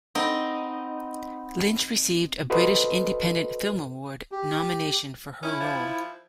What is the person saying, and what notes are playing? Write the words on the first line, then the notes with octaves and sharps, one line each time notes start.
Lynch received a British Independent Film Award nomination for her role.
C4 D#4 F#5 B5
F#4 A4 B4 C5 D#5
G4
C#4 E4
F3